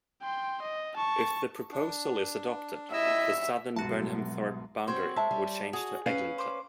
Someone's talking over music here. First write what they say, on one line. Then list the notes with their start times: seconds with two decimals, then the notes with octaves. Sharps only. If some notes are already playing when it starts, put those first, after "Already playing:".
If the proposal is adopted, the southern Burnhamthorpe boundary would change to Eglinton.
0.23 G5 C6
0.63 D#5
0.97 A5 C#6
1.72 D4
2.93 E4 D#5 E5 E6
3.76 C2 G#2 B2 F#3 F#4 A5
4.88 C4 F#4 C5 C#5
5.16 G#3 E5 A5
5.31 G3
5.73 F#4 G#4
6.06 C#4 B4 F5
6.38 C5 D6